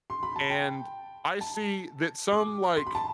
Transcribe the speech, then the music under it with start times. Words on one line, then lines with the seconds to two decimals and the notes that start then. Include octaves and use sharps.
and I see that some, like,
0.10 C6
0.23 B5
0.36 A5
0.50 G5
1.41 A5
2.32 D6
2.77 C6
2.87 B5
2.95 A5